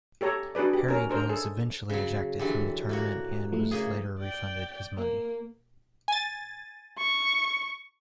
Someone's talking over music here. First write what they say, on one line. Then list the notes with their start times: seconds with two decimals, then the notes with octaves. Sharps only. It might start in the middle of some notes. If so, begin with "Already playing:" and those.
Harry was eventually ejected from the tournament and was later refunded his money.
0.21 G4 A4 C#5 A#5
0.55 D4 F#4 G#4 B4 D5
0.73 G4
0.88 C#4 A#4
1.09 D4 A#4 C5
1.29 G#4 A4
1.90 C#3 F#3
2.39 D3 E3 F#3 G4
2.89 A2 A#3 F#4
3.52 F3 A3 E4
3.71 C#3 A#3 G#4
4.18 D5 G5
4.96 A#3
6.08 G#5 A6
6.98 C#6